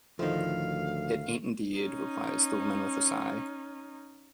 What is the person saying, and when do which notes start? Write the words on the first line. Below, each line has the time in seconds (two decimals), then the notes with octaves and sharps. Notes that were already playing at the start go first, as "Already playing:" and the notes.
"It ain't indeed," replies the woman with a sigh.
0.19 D2 A2 D#3 F3 D#4 F5
1.78 C#4 D#4